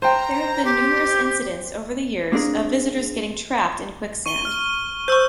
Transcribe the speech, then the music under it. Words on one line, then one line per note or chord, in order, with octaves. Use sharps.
There have been numerous incidents over the years of visitors getting trapped in quicksand.
C5 G5 A#5
G4
A#3 C4 D4 G#4 A#4
C#6 D#7 G7
F6
C5 C#6 E6 G6